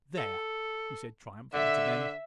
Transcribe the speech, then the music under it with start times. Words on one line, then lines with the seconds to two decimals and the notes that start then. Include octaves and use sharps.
"There!" he said, triumphantly, to Ben.
0.18 A4
1.53 D3 E5